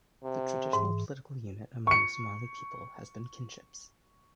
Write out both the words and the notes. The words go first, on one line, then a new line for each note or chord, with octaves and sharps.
The traditional political unit among the Somali people has been kinships.
C3
G#2 E3
C#6 C#7